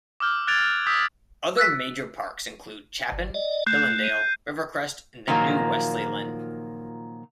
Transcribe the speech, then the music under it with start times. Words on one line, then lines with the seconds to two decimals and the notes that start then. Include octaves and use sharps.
Other major parks include Chapin, Hillendale, Rivercrest, and the new Wesley Lynn.
0.20 D6 E6 F6 G6
0.47 D6 F#6 G#6 A6 D7 F7
0.87 D#6 E6 G6 B6
1.57 E6 F#6 A6 B6
3.12 G1
3.34 D5 D#5
3.67 A3 F#6 G6 C7
4.04 D#7
5.28 A#2 D#3 F3 F#3 A#3